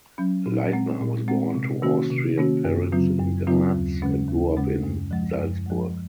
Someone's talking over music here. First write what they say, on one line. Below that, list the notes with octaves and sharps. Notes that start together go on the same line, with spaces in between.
Leitner was born to Austrian parents in Graz and grew up in Salzburg.
F#3 C#4
A#2
G#3 C4
A#2
G#3 C4
C3
D#3 A#3 C#4 F#4
C3
D#3 A#3 C#4 F#4
F#2
C#3 F#3 C4 F4
F#2
C#3 F#3 C4 F4
D#2
C#3 G#3 C#4
D#2
C#3 G#3 C#4
F#2
F3 G#3
F#2
F3 G#3